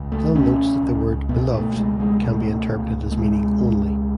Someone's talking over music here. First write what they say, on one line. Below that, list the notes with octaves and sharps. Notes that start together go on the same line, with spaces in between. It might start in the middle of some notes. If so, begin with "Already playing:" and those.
Hill notes that the word "beloved" can be interpreted as meaning "only".
Already playing: C#2
A3
B2 C#4
C#2
B2 B3
A3
C#2 G#3
G#3
B2 A3
C#2
A3
B2 G#3
C#2